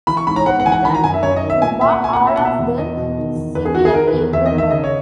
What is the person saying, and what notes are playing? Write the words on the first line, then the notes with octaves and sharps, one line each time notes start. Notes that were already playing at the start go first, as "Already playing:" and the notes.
They returned to Cuba, all of them severely wounded.
E3 B5
C#6
G#2 B5
A#5
G#2 F#5
F#5
E3 G#5
F#5
D#3 B5
A#5
F#2 G#5
E5
F#2 C#5
D#5
D#3
E5
A#2 G#5
A#2 E5
F#5
A#2 G#5
F#5
A#2
E5
B2 F#5
E5
E2
E2 D#5
B2
D#3
E2
E2 B4
G#4
D#3 F#4
G#4
D#3 A#4
B4
E2
E2 E5
D#5
D#3
E5
C#3 D#5
C#5